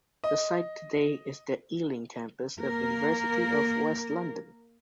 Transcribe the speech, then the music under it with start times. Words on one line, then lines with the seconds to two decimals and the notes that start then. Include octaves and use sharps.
The site today is the Ealing campus of University of West London.
0.24 D#5
2.59 A#3 A#4